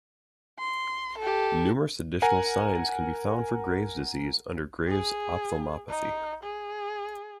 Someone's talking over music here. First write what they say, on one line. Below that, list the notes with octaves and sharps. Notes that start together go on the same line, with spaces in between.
Numerous additional signs can be found for Graves disease under Graves' ophthalmopathy.
C6
G4 A4
A#4 F#5 G#5 A#5
G#4
D#4
G#4